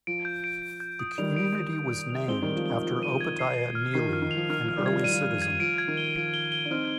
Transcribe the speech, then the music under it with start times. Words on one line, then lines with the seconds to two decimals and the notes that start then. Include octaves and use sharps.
The community was named after Obadiah Neely, an early citizen.
0.07 F3 D7
0.25 G6
0.44 D7
0.62 D7
0.80 G6
0.99 D#6
1.18 D#3 G3 F7
1.36 D7
1.55 G6
1.73 G6
1.92 G6
2.10 F7
2.28 G#3 C4 G7
2.42 D#3 G3
2.46 G7
2.56 F3
2.66 D#3 G7
2.83 F3 G7
3.03 D#7
3.21 G#6
3.39 C7
3.58 C7
3.75 F6
3.94 D#3 C7
4.08 F3
4.13 F6
4.22 D#3
4.31 F7
4.36 F3
4.49 D#3 F6
4.64 F3
4.69 F6
4.78 D#3 G3
4.86 G#6
4.91 F3
5.02 G3 D#7
5.12 F3
5.23 F6
5.42 G#6
5.60 F3 D7
5.78 G#6
5.88 D#3
5.97 G7
6.16 F3 D7
6.34 G7
6.52 G7
6.65 D4
6.70 C4 D#4 F6